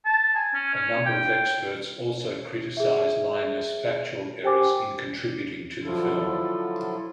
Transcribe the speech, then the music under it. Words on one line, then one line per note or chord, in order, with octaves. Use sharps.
A number of experts also criticised Lynas's factual errors in contributing to the film.
A5
G#5
C#4
C#4
G5
G#4 E5
G4 C5 G5 G#5 D6
D3 F3 F#3 E4 F4 A4